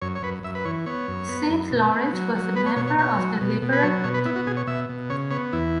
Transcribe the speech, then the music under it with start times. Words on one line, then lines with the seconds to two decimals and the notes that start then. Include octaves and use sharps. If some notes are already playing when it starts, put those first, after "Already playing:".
Saint Laurent was a member of the Liberal Party.
0.02 F#2 C#5
0.15 C#5
0.22 F#2 B4
0.43 F#2 E5
0.55 B4
0.65 E3 C#5
0.86 B3 C#5
1.08 F#2
1.29 B3
1.49 F#2
1.71 B2
1.92 B3
2.13 F#3
2.35 F#3
2.55 B3 B4
2.66 C#5
2.76 B2 C#5
2.87 C#5
2.98 B2 C#5
3.19 F#3
3.41 B2
3.62 B2
3.73 B4
3.83 F#3 C#5
4.04 B2 C#5
4.14 B4
4.25 B3 E4
4.36 F#4
4.47 B2 G#4
4.57 C#5
4.67 B2 E5
4.89 B2
5.09 C#3 C#5
5.31 B3 C#5
5.53 E2 E4